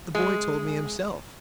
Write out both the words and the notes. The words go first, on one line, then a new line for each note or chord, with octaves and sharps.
The boy told me himself.
G#3